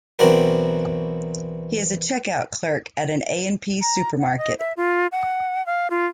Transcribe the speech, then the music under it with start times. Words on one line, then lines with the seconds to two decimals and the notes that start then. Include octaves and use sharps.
He is a checkout clerk at an A and P supermarket.
0.19 B1 E3 C4 D4 F#4 A#4
3.81 A#5
4.19 F#5
4.37 D#5
4.59 E5
4.77 F4
5.12 F#5
5.66 F5
5.90 F4